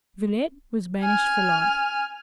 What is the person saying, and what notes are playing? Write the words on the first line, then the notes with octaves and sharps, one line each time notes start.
Villette was banished for life.
G#5 F6